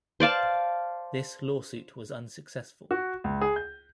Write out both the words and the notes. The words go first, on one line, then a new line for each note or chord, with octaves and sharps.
This lawsuit was unsuccessful.
C5 D5 F5 A5
F#4
C#2
G#4
G6